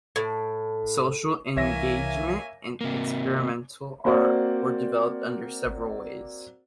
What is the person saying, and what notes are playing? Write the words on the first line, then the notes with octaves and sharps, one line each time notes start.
Social engagement and experimental art were developed under several ways.
A2
C2 E3 A#3 C#5 E5 G#5 A#6
C3 A#3
A#3 C4 F#4 C5 D5